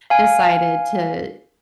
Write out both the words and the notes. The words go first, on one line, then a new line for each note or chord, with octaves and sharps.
decided to
F5 G#5